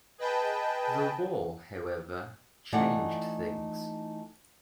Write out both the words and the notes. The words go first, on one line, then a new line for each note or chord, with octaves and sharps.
The war, however, changed things.
G#4 B4 D#5 G5 A5
E3 A3 D#4 F4 D5 F#5